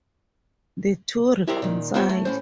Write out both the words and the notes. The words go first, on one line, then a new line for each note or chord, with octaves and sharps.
The two reconcile.
E4 G4 A#4 C5 D5
A#2 D#3
B3 F4 G4 C5 C#5
A3
A2 C#4 C5